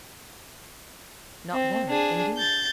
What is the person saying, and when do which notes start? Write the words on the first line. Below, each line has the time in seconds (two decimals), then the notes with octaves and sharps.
"Not one, indeed."
1.53 C4
1.89 D4 G#4
2.38 G6 A6